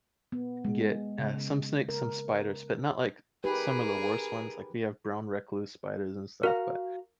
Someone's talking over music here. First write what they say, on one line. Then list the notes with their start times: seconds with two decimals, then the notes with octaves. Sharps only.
get, uh, some snakes, some spiders, but not, like, some of the worst ones, like, we have brown recluse spiders and stuff, but
0.32 B3
0.65 G#3
1.19 C#3
1.89 A#4
3.44 D#4 G4 G#4 A#4 B4
6.43 F#4 A#4 F5 A#5